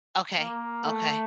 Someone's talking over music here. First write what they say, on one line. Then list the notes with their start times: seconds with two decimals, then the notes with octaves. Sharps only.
Okay. Okay.
0.38 A#3
0.84 A3